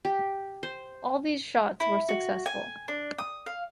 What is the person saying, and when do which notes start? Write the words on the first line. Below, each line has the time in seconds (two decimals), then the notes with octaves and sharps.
All these shots were successful.
0.05 G4
0.63 C5
1.80 E4
2.09 F#4
2.46 G#5
2.88 D4
3.18 D#6
3.46 F5